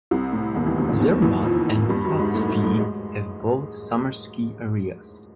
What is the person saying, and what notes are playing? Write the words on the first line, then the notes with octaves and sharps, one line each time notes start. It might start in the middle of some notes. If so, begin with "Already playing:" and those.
Zermatt and Saas-Fee have both summer ski areas.
C2 C3
A2
D#2 D#3
E2 E3
D2 D3
C#2 C#3
D#2 D#3
E2 E3
F2 F3
G2 G3
F#2 F#3
G#2 G#3
A2 A3
A2 A3
A2 A3
G#3